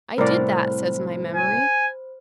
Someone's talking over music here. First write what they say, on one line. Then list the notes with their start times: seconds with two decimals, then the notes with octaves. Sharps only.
"I did that," says my memory.
0.18 C2 A2 A#4 C5 D5 B5 F6
1.35 G#5